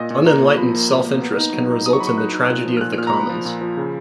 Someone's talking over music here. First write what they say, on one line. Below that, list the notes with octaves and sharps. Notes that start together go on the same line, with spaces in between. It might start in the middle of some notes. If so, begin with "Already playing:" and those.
Unenlightened self-interest can result in the tragedy of the commons.
Already playing: A#2 D#5
A#2
A#3 A#5
A#2
F3 B5
A#3
A#2
A#3
B3
D#4
F#3
D#4
D#4 D#6
C#6
F#3 B5
C#6
D#4 F#6
D#4
A#2 F#6
F3
F6
A#2 F#6
A#2 F6
A#5
A#2 B5
F3
A#2
F3
C#3